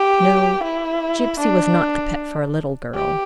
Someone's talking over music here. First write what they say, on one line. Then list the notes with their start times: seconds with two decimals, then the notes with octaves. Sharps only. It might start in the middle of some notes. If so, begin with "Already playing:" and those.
No; Gipsy was not the pet for a little girl.
Already playing: G4
0.63 E4
1.40 D4
2.94 G4